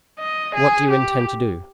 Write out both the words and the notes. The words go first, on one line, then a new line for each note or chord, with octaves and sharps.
What do you intend to do?
D#5
G#4
G4